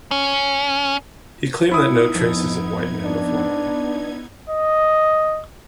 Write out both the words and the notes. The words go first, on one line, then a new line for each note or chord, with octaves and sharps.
He claimed that no traces of white men before him.
C#4
B3 D#4 E4 D#6 G#6
F2
D4
D#5